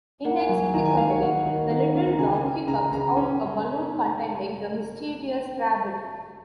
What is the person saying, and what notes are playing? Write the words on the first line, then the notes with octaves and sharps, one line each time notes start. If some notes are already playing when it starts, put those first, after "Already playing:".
Inexplicably, the little dog hiccups out a balloon containing the mischievous rabbit.
A#3 F#5
G#5
F#3
G#5
D#3 A#5
G#5
A#3 F5
C#5
D#3 F#5
D#3
D#3
C#4
A#5
C#3 G#5
C#4
C#3 A#5
C#3 A#5
C#4